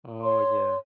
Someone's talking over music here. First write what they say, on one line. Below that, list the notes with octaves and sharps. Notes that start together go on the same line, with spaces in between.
Oh, yeah.
C#5 C6